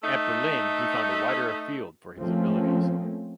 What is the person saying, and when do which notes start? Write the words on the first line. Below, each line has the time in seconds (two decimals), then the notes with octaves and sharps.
At Berlin, he found a wider field for his abilities.
0.03 A3 D#4
2.19 F3 A3 A#3 C4 C#4